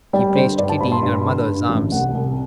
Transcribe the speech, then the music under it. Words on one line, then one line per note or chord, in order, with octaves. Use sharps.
He placed Kitty in her mother's arms.
G3 D5
D3 C5
G2 D5
A5
G2 B5
C6
G2 B5
D3
G2
A1
C2 F#5
C2